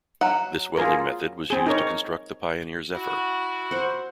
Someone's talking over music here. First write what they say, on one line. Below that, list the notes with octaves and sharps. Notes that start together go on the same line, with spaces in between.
This welding method was used to construct the "Pioneer Zephyr".
F#3 F#5
F4 G#4 A#4
C4 G#4
D#4 A#4 C#5
E4 F#4
C5 F#5